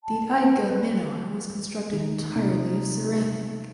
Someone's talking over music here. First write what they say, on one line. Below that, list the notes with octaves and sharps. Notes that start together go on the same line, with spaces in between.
The Eidgah Minar was constructed entirely of ceramic.
A5
B4
D#3 D#4
C3 C#4 D#4